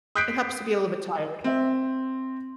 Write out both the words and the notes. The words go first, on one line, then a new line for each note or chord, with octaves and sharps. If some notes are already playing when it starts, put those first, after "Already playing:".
It helps to be a little bit tired.
D#6 F#6 G6 B6 C7 D7
C4 E5